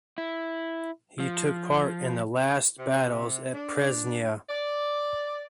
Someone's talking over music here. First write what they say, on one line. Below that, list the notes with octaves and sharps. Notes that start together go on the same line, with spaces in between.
He took part in the last battles at Presnya.
E4
F3
C3
D4
D5